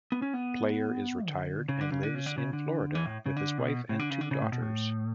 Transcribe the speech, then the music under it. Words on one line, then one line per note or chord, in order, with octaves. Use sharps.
Player is retired and lives in Florida with his wife and two daughters.
B3
C#4
B3
D3
C#3
D3
C#3
D3
C#3
D3
C#3
D3
E3
A2
C#3
D3
B2
A2
D3
C#3
D3
C#3
A2
B2
A2